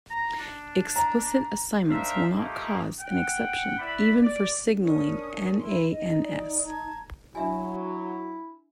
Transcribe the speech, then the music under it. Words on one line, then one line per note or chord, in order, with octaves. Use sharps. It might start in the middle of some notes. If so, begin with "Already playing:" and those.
Explicit assignments will not cause an exception even for signaling NaNs.
A#5
D4
A#5
D4 D#4 A#4 C5 E5 F5
A3 A#3 D#4 F4 G4
F#5 G5
E4 B4 D5 B5
D5
C#4 D4 A#4 D#6
E4 C6
D#4 D#5
D5
A5 A#5 G#6
F#3 D4 E4 E5 G#5